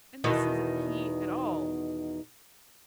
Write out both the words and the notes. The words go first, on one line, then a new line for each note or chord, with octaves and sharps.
And this isn't he at all!
E2 B2 D#3